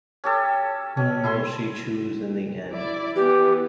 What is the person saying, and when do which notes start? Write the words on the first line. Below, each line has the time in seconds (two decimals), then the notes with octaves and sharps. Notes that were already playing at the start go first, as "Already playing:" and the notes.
Whom will she choose in the end?
0.24 C#4 G4 A4
0.97 C#4
1.24 E4 G#4 C6
2.73 E4 D5
3.16 E3 B3 G4